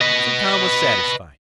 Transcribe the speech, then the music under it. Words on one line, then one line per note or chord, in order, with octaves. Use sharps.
So Tom was satisfied.
B4 D#5